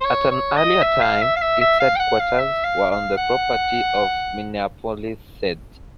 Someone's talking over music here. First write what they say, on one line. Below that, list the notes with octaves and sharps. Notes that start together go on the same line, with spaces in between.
At an earlier time its headquarters were on the property of Minneapolis-St.
C5
C#5
C#5
D#5
E5
F5
E5
F5
E5
E5
F5
G5
F#5
F5
E5
F5
F5
F#5